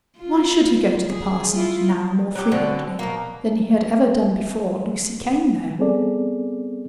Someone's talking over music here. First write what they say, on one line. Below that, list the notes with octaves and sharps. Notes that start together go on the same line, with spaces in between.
Why should he go to the parsonage now more frequently than he had ever done before Lucy came there?
F4
G#4
E4 F4
F#3 G4
B2 D3 C4 C#4
B2 A#3
G3 B3 C4 G#4 A4 D5